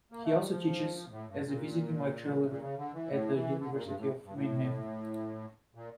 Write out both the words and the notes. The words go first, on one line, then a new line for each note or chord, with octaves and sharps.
He also teaches as a visiting lecturer at the University of Mannheim.
A#3
A3
G3
F3
A2
G2
A#2
A#2
C#3
D3
E3
A2
E3
D3
A#2
G2
A2
G2
A2
A#2